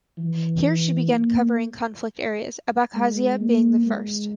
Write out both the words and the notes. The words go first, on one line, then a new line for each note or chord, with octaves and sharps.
Here she began covering conflict areas-Abkhazia being the first.
E3
A#3
G#3
A#3
G#3